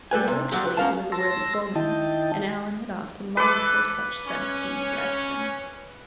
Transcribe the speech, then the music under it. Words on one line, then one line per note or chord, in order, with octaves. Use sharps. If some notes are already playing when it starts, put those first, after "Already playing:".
Intellectually he was a worthy foeman, and Alan had often longed for such since coming to Rexton.
G3 A4 B4 G#5
C3
A#2 D3 F#3 G3
B4
F#2 C#4 A#4 F5 A5
A5 C6 E6 A#6
D#3 E4 D#5 G5 A5
E3 A4 B4 D6
C#4